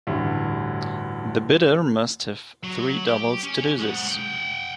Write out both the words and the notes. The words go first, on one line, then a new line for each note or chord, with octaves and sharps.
The bidder must have three doubles to do this.
A1 D2 G2
F#3
G4
C#4
G#3 F#5
F#5 G5